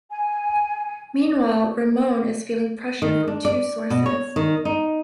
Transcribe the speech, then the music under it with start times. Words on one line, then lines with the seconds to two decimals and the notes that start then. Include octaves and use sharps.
Meanwhile, Ramon is feeling pressure from two sources.
0.11 G#5
3.02 D#3
3.28 D4
3.45 D5
3.90 B2
4.06 C#5
4.36 D#3
4.65 D#4